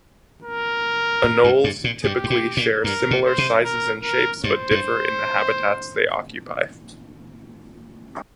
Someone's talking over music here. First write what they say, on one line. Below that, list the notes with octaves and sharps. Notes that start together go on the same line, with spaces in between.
Anoles typically share similar sizes and shapes but differ in the habitats they occupy.
A#4
A#2
G2
G2
A#2
G2 G4
G2
A#2
A#2
G2 A#4
A#2
C5
C3
A#4
A#4
G2 C5
G2